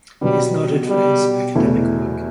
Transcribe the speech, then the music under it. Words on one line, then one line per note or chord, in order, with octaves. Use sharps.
He is noted for his academic work.
B2 F#3 G3 B3
G3
E2 B2 A3 E4